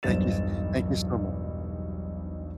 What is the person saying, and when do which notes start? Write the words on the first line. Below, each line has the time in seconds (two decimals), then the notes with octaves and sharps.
Thank you s thank you so much.
0.03 E1 B1 G2 C5 A6 E7